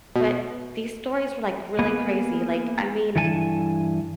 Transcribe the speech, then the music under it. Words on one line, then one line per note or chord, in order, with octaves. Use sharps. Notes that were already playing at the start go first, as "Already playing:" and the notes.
but, these stories were, like, really crazy, like, I mean
B2
A#3 B3 G#4 B4
G2 E3 A4 G#5 A5